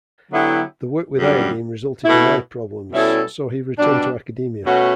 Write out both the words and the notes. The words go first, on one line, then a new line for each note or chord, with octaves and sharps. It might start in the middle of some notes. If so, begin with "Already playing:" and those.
The work with iodine resulted in eye problems, so he returned to academia.
D3 F#3 B3 E4 G4
F#2 D3 G3
B2 A3 E4
B2 G3 C#4 E4 A4
B2 G3 D4
B2 A3 C#4 F#4